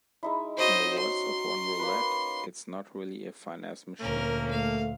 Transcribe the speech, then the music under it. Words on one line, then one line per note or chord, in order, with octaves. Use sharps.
In the words of one Roulette, "it's not really a finesse machine".
G#3 D#4 E4
C#4 D#4 F#4 C5 D#5
C6
A#3 B4
D2 A#2 A#3 C#4 A#4
A3 F5